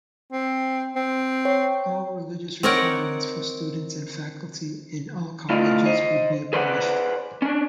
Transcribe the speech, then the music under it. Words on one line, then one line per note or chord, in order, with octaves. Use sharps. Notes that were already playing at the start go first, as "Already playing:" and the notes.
All religious requirements for students and faculty in all colleges would be abolished.
C4
C4
C#5 G5
C4 D#4 A#4 C#5 D5 F#5
A3 E4 F4 D5 D#5 F5
C5 D#5
G#4 B4 C5 D5 E5 F#5
C#4 D4